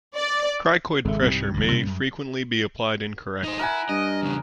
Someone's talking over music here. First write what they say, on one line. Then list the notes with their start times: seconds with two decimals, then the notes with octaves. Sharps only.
Cricoid pressure may frequently be applied incorrectly.
0.16 D5
1.05 G#1 C#3 G#3 A4 E5
1.22 C2 G#2 C3 G3
1.54 E1 D2
1.72 B2 A#3 C#4
1.87 F#2
3.44 D#4 C5
3.59 E4 A#4 F#5 G#5
3.89 G2 D#5
4.22 E2 C#3